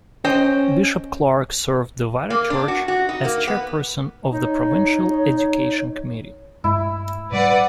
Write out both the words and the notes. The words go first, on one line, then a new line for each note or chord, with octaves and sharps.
Bishop Clarke served the wider church as chairperson of the Provincial Education Committee.
C#4 C5 D#5 G5
A#3
D4
F#4
F#4
D#4
A#3
B3
D#4 C#5
G2 G#3 A3 E4
A2 G3 B4 D5 F#5